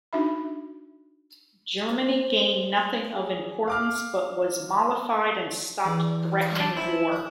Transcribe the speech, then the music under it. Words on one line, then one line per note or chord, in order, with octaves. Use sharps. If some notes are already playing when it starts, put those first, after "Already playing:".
Germany gained nothing of importance but was mollified and stopped threatening war.
D4 D#4 F#4 E5 B5
C5
G#4
F5 D6 F6
E2 D5
D4
E4 C5 G#5 A5
F3 D#6